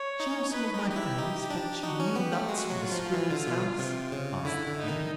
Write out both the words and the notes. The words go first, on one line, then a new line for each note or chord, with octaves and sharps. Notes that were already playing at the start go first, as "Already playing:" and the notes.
"Shall some of my fairies fetch you new nuts from the squirrel's house?" asked the Queen.
Already playing: C#5
D#4
D#4 B4
D#4
D#4 G4
E4
D#4
D4
D#4 F#4
C#4
B3 G4
A3
G#3 F#4
F#3
F4
F3
E3
D3
B2
C3
C#3
D3 E4
D3
D#4
D#3